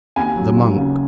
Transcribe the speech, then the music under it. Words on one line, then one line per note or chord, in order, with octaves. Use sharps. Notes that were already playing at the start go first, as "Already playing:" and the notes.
The Monk.
D#2 G#5
F#3
D#2
C#3